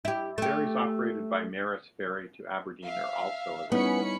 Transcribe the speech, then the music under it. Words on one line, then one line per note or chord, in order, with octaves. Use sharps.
Ferries operated by Maris Ferry to Aberdeen are also available.
E4 G4
A3 G4
E5 F5
G3 B3 C#4 D#4 E4 B5 C#7